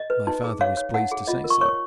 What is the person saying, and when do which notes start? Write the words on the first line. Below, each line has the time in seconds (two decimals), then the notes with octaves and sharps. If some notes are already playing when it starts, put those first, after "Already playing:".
'My father is pleased to say so.'
Already playing: D#5
0.10 B4
0.27 D#4
0.44 G#4
0.61 C#5 F5
0.77 C#5
0.94 D#4 F#5
1.12 G#4
1.27 F4 D#5
1.44 A#4
1.50 C#6
1.61 C#5 C#6